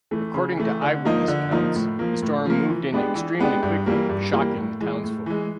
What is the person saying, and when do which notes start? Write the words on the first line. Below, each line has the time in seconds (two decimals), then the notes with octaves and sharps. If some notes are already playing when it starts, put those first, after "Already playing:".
According to eyewitness accounts, the storm moved in extremely quickly, shocking the townsfolk.
0.11 E3 A3
0.34 C#3
0.57 E3 A3
0.82 D3
1.05 F3 A#3 D#4
1.28 D3
1.51 F3 A#3 D#4
1.75 A2
1.99 F3 A#3
2.22 A2
2.46 F3 A#3
2.69 E3
2.93 G#3 B3 D4 G4
3.15 E3
3.39 G#3 B3 D4 G4
3.63 G2
3.86 E3 G3 A#3
4.09 G2
4.33 E3 G3 A#3
4.56 A2
4.81 E3 G#3
5.04 A2
5.26 E3 G#3